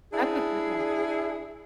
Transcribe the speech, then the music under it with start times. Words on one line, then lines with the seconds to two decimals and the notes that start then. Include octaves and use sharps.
that's a good one.
0.12 D4 E4 G#4